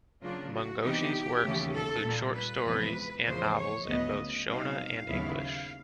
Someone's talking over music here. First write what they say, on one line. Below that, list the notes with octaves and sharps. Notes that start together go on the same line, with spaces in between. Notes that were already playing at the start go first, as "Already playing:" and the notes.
Mungoshi's works include short stories and novels in both Shona and English.
C#3 F#3 A#3 D4 F4
F#4
C3 E3 G3 B3 D#4 G4
D#2 C#3 E3 A3 C#4
A4
A#2 G3 A#3
B4
E2 C3 F3 G#3 C4
E2 C#3 F3 A#3 C5
C#5
D2 C#3 F#3 B3 D#5
B2 G3 C4 D#4 F5
D#2 C#3 F#3 B3 E4
F5